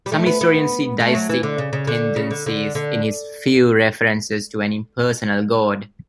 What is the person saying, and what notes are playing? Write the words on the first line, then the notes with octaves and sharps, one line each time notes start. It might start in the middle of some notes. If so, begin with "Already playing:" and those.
Some historians see "deistic tendencies" in his few references to an impersonal God.
G3
A3
B3
B3
A3
F#3
E3
D3
C#3
C#3
D3
C#3
D3
D3
D3